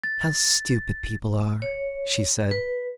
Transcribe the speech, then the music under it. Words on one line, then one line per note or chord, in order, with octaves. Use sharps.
"How stupid people are," she said.
A6
C#5
B4